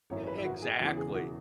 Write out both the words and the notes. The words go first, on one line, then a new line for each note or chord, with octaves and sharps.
Yeah, exactly.
G#1 F#2 E3 C#5
C#5
B4
E4
F#4
G#4
E1 E2 C#3 E3 F#4
G#4
F#4